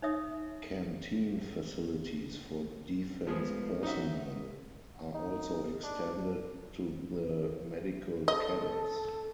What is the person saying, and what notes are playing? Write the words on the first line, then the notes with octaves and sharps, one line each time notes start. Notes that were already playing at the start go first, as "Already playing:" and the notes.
Canteen facilities for defence personnel are also extended to the Medical Cadets.
D#4 C#5 E5 D#6
F3 G#3 A3 B3 G#4
C#4 D#4 F#4 E5
D#4
D4
A4 D#5